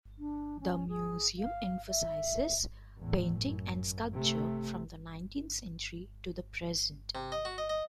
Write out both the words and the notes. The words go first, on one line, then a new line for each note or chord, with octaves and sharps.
The museum emphasizes painting and sculpture from the nineteenth century to the present.
D4
C#4
G#4
F5
E5
E2 A2
F#2
C3 A3
C3
D#5
F#4
D#5
D#5